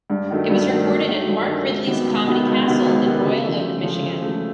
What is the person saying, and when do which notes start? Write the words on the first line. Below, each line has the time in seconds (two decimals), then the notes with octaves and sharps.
It was recorded at Mark Ridley's Comedy Castle in Royal Oak, Michigan.
0.10 G2
0.30 D#3 F#3 A3
0.50 G2
0.69 D#3 F#3 A3
0.88 G2
1.08 D#3 F#3 A3
1.28 G2
1.48 D#3 F#3 A3
1.68 C#2
1.87 C3 D#3 F#3 B3
2.07 C#2
2.27 C3 D#3 F#3 B3
2.46 C#2
2.65 C3 D#3 F#3 B3
2.86 C#2
3.04 C3 D#3 F#3 B3
3.25 C#3
3.44 F3 A3
3.64 C#3
3.83 F3 A3
4.02 C#3
4.22 A3
4.27 F3